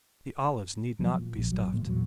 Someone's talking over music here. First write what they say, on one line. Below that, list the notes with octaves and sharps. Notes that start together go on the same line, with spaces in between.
The olives need not be stuffed.
F3 F#3 G#3 B3
A#2
D1 A#1
G#1 F#3
A2 D#3 G#3 A#3
E2 A#2 E3 F#3